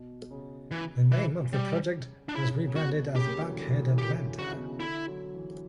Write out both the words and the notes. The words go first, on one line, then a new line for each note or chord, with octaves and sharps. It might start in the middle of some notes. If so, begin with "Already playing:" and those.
The name of the project was rebranded as 'Buckhead Atlanta'.
Already playing: B2
C#3
E3
E3
G3
D4
C#3 E4
C#3
B2 F#4
C#3 G4
A#3
G3
F#3
E3
D3
E3
D3 G4
C#3 F#4
B2
C#3
D3 E4
F#3
E3